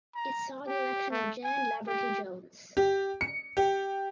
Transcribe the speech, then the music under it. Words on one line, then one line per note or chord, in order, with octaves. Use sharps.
It saw the election of Jan Laverty Jones.
A#5
G4
A3
G#5
G4
G4
C#7
G4